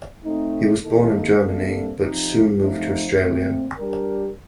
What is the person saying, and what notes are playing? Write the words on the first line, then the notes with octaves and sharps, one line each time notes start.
He was born in Germany but soon moved to Australia.
A3 C4 D#4
C3 D#3 A#3 D#4 A4
C3 G3 A#3 D4 A4
C3 F3 C4 D#4
F3 A3 C4 D#4
A#2 A3 C4
G3 D4 G4 A#4